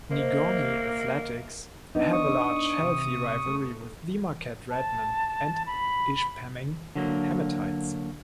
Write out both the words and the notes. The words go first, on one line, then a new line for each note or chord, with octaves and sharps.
Negaunee athletics have a large, healthy rivalry with the Marquette Redmen and Ishpeming Hematites.
A#3 C5 D#5 E5
B3 D4 D#4
C#6 D#6
C3
A3
A5
B5
D3 F#3 A#3